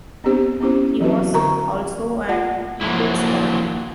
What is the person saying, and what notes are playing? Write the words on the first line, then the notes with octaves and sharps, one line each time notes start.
He was also an Eagle Scout.
B3 C4 D4 G4 C5
B3 C#4 E4 G4 C5
E3 F#3 C4 E4 F#4 B4
D3 F#4 A#4 A#5 C#6
F4 D5 F#5 A5
F3 F#3 A#3 E4